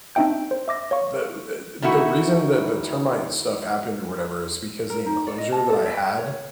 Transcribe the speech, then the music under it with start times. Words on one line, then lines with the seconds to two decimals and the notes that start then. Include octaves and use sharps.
The w the the reason that the termite stuff happened or whatever is because the enclosure that I had
0.15 C4 D4 D#4 E5 G5 G6
0.51 C5
0.68 E5 D6 A#6
0.91 C#5 F5 C#6
1.82 D#3 A3 E4 F#4
4.90 A#4
5.06 D#4
5.27 D5
5.38 D#5
5.52 A5
5.70 A4
5.86 E5
6.18 C#5